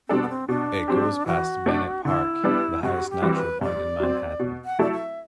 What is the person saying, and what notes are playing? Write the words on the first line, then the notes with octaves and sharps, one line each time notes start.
It goes past Bennett Park, the highest natural point in Manhattan.
B2 G3 C4 D4 A4
B3
C4
B2 D4
F#3 C4 G4
E3 F#4
A3 D4
D3 E4
G3 B3 D4
G2 F#4
G4
E3 G3 C4 F#4
B4
G2 D5
F#3 C4
B2
F#5
F#3 A3 E4 A4 D5
E5